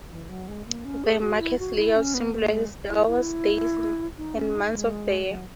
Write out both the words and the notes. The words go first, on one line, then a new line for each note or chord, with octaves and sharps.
The market's layout symbolizes the hours, days, and months of the year.
E3
F#3
G#3
A#3
C#4
G#4
F#4
E4
F#4
E4
C#4
B3
A#3
G#3
E4
E4
D#4
C#4
D#4
G#3
F#3